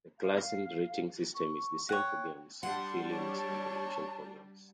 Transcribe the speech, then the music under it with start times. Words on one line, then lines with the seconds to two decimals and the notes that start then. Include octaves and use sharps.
The ClassInd rating system is the same for games, films and television programs.
0.19 F5
1.35 C#6
1.89 C#5 F#5 G5
2.63 G3 D4 F#5 C6
3.11 C#5 A5